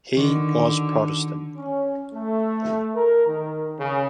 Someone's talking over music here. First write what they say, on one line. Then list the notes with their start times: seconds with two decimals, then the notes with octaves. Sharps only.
He was Protestant.
0.16 D3 D#3 F#4
1.57 C#4
2.14 A3
2.95 A#4
3.27 D#3
3.79 C#3